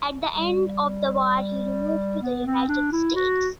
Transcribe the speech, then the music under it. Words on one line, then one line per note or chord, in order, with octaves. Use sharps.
At the end of the war he moved to the United States.
G3
B3
C4
D4
E4
F#4